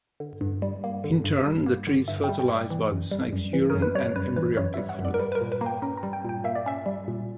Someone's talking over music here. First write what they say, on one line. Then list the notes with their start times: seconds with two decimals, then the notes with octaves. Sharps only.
In turn the tree is fertilized by the snake's urine and embryotic fluid.
0.20 D3
0.41 G2
0.62 G3
0.84 A#3
1.04 D3
1.24 G2
1.46 G3
1.66 A#3
1.87 D3
2.08 G2 E5
2.24 G5
2.29 G3
2.39 G5
2.50 A#3
2.55 D5
2.70 E3
2.92 F#2
3.11 G3
3.33 F#2
3.53 E3
3.70 F#2 A#4
3.82 B4
3.95 G3 C#5
4.16 F#2 B4
4.36 E3 B4
4.57 F#2 C#5
4.74 G3 E5
4.89 F#5
4.99 F#2
5.05 D5
5.14 A#4
5.19 G3 B4
5.32 B4
5.35 A#4
5.41 A#2
5.52 B4
5.61 A#3 A#5
5.66 G5
5.82 C#4 A#5
5.97 A#5
6.03 G3
6.13 G5
6.25 A#2 G5
6.44 A#3 E5
6.55 D5
6.66 C#4 E5
6.86 G3
7.08 A#2